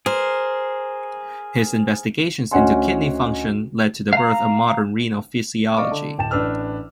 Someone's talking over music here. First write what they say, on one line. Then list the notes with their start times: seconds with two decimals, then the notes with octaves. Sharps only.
His investigations into kidney function led to the birth of modern renal physiology.
0.06 G#4 A#4 C5
2.51 D2 C#4 D#5 F#5 G#5 C6
4.13 F5 A#5
5.77 D5 D#5 F5 C#6 D6
5.91 D3
6.18 D1 G5 A5 E7
6.31 A1 D4 B4 E6 F6